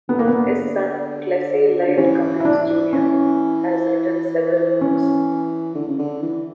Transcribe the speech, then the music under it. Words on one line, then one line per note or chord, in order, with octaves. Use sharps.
His son, Clessie Lyle Cummins Junior, has written several books.
D3 B3
A#3
B3
D3
E3 C#4
E4
D4
C#4
C#4
D3
C#3
D3
E3